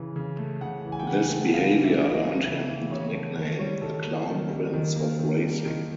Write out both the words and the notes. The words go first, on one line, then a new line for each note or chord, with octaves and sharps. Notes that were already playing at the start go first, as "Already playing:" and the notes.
This behavior earned him the nickname "The Clown Prince of Racing".
Already playing: C#3 E3
C#3
A3
C#3 F#5
E3
G#5
G5
C#3 F#5
A3
C#3 F5
E3
E5
C#3
E5
D#5
A3
C#3 E5
E3
C#3 C#5
A3
D#3
G3 C#5
D#3 A4
A#3
D#3
G3
D#3
A#3
D#3
G3
D#3